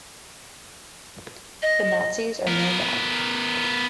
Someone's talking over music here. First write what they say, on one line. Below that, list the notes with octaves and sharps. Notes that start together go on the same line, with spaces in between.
The Nazis are no more.
D#5
B3 A#4